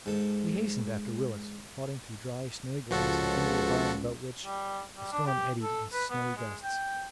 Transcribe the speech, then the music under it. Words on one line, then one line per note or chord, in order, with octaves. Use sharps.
We hastened after Willis, plodding through dry, snowy grass, and came to a barn about which the storm eddied in snowy gusts.
G#2 A4
C#2 F3 F#4 A4
G3
G3
D4
G4
A4
B4
B3
G#3
G5